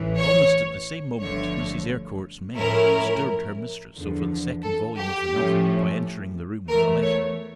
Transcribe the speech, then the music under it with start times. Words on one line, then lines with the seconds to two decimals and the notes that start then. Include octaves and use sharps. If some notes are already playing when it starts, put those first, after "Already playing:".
Almost at the same moment Mrs. Eyrecourt's maid disturbed her mistress over the second volume of the novel by entering the room with a letter.
Already playing: A1 A2 E3
0.18 C#5
1.20 G1 G2 D3 F3 A3 C#5
2.57 A2 F3 C#4 E4 A#4
3.94 E2 D3 F3
4.63 A4
4.97 G4
5.32 A2 F3 A3 C#4
6.68 E2 E3 A3 A#4
7.02 C#5